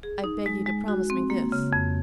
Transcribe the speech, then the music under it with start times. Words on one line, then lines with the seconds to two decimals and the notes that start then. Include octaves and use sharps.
"I beg you to promise me this."
0.03 G#4
0.24 D#4
0.46 G#3
0.66 G#3
0.88 F#4
1.10 C4
1.30 A#3
1.52 C#3
1.73 F2